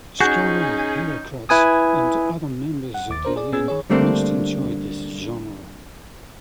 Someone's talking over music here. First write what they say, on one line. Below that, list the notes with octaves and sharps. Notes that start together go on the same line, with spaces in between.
Scholar-bureaucrats and other members of the elite most enjoyed this genre.
C#4 D#4 F#4 G#4 G6
E4 B4 G#5 D#6
F#5
D#2 D6 A6
D4 A#4 C5
G#4 D5
A#2 B3 C#4 G#4 E6 G#6
D#3 G#4 C#5
D3 G3 A3 A#3 C4 D4